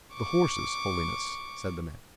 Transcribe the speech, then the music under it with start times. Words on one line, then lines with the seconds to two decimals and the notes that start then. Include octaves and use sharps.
"The horses, Holiness," said the man.
0.13 C#6 D6